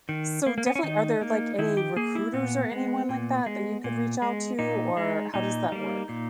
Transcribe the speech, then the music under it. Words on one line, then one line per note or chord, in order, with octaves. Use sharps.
so definitely are there, like, any recruiters or anyone like that that you could reach out to or how does that work?
D#3
A#3
A#3
B3
C#4
D#3 D#4
A#3
D#3 E4
G4
A#3 G#4
E4
A#2 B3
G#3
A#2
G#3
A#2
G#3
A#2 D#4
G#3
A#2 D#4
G3 A#3
A#2